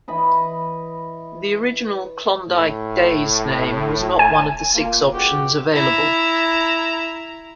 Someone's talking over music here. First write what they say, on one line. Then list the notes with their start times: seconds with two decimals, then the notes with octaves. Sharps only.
The original "Klondike Days" name was not one of the six options available.
0.08 E3 D#5 B5
2.48 A2
4.19 G#5
4.75 A#3 F4
5.13 C#2 F#4 G4
5.75 E4 A#5